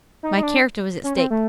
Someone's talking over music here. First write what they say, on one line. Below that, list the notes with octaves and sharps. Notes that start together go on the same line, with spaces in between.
My character was at stake.
D#4
D#4
D4
C#4
C4
A3